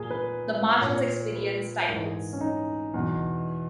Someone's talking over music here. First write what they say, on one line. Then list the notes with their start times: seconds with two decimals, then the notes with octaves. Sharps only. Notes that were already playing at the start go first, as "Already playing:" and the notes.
The Marshalls experience typhoons.
Already playing: A#2 G#4 A#4
0.11 B4
0.81 A#2 C#5
1.35 B4
1.88 G#2 A#4
1.92 E3
2.05 G#4
2.33 C#4
2.41 D#4
2.94 E2 B2